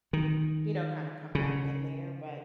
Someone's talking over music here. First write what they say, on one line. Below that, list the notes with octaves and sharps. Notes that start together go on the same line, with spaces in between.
you know, kinda come back in there," but
D#3
C#3